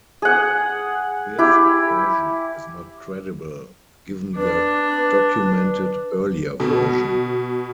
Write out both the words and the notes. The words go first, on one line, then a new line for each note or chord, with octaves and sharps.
This version is not credible, given the documented earlier version.
G#4 F#5
E4 G4
D4 B4
B2